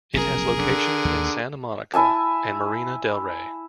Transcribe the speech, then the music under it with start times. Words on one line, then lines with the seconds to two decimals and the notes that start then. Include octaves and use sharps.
It has locations in Santa Monica and Marina Del Rey.
0.14 F1 B1 C#4 G#4 A#4
0.57 D3
1.05 D#2
1.94 E4 E5 G#5 A5